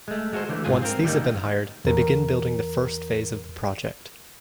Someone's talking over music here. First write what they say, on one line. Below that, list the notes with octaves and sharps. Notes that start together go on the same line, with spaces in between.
Once these have been hired, they begin building the first phase of the project.
G#3 A3
G#3 F#4 A4 C5
D3 E3 A3
C#2 G#2 F#3 F4 G#4 G#5
C4 A#4
D3 D#3 G3 A3 A#3 D#4
E2 A#4